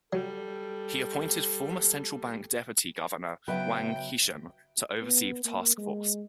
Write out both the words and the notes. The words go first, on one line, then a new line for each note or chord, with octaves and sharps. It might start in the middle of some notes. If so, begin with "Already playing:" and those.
He appointed former central bank deputy governor Wang Qishan to oversee the task force.
F#3 G3 A4
C#3 F#3 B3 B4 E5 G5
B3
A#3
G#3